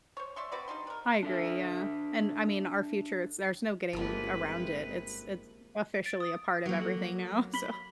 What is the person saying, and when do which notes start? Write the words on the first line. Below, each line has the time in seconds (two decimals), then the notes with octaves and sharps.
I agree, yeah. And I mean, our future, it's there's no getting around it. It's it's officially a part of everything now, so
0.17 C5 C#5
0.36 D5 E5 C6 C#6
0.52 C4 F#4 B4 D5
0.68 G3 D4 D#4 C6
0.87 A#4 B4
1.23 D4 A4 E5
3.93 G1 C3 F3 G#3 A#3 B4
6.05 A6 D7
6.20 D#6
6.65 F#3 A#3
6.82 A4
7.54 B5 B6 G7